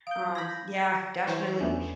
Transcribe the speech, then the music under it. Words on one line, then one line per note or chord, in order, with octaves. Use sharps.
Um, yeah, definitely.
F5 D#6 G6 D7
B5 G6 G#6 A#6
E3 C5 C#5
E2 A3 B3 C#4 D4 E5